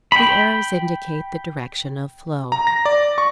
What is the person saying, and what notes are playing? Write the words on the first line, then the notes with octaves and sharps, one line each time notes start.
The arrows indicate the direction of flow.
G5 B5
A#5
A#6
D5
C#6